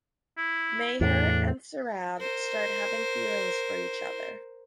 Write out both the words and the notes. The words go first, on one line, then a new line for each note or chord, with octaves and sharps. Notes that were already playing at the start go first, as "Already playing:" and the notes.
Meher and Sarab start having feelings for each other.
E4
E2 A2 D4
A#4 C5